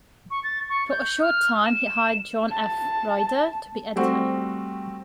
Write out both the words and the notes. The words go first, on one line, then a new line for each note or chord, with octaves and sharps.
For a short time he hired John F. Rider to be editor.
C#6
A6
C#6
G6
F6
E7
A5
G3 A3 C4 F#4